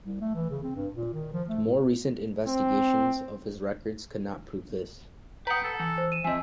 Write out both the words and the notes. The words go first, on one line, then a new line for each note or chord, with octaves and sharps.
More recent investigations of his records could not prove this.
C2
A3
E3
C#3
C4
G2
A#2
D#3
F3
A3
A2
C4
B4 F#5 G5 A#5 D#6
A4
E3
C5
D#7 E7
F3 C4 D#5 E5 G#5